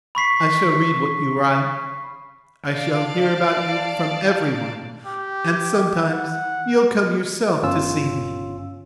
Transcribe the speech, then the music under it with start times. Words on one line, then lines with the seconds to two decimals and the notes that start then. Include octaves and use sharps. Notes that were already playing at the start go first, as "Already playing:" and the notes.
I shall read what you write, I shall hear about you from everyone, and sometimes you'll come yourself to see me.
0.15 B5 C#6 B6 C7
2.72 D5 F5 A5 D7
5.06 G4
6.10 F#5
7.63 G1 C#4 F4 E6